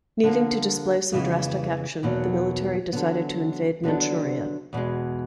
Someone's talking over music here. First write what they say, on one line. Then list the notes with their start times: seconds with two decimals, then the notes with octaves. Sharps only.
Needing to display some drastic action, the military decided to invade Manchuria.
0.23 D3 F3 A#3
1.12 F2 C#3 E3 G#3 B3
2.03 E2 B2 F#3 A#3 D#4
2.92 D3 F#3 B3
3.84 D3 F#3 B3 D4
4.73 E2 B2 G#3